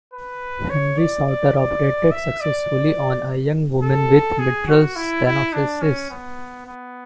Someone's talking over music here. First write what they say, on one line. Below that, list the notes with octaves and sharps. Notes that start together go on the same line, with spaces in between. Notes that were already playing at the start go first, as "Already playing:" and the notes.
Henry Souttar operated successfully on a young woman with mitral stenosis.
B4
C#5
D5
D5
D5
E5
D5
A4
G#4
F#4
E4
E4
D4
C#4
B3
B3